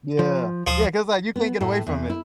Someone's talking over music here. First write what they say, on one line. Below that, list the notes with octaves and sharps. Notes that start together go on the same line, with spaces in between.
Yeah. Yeah, 'cause, like, you can't get away from it,
F3
D2 F3 C5 D#6
B3
A2
E2
E4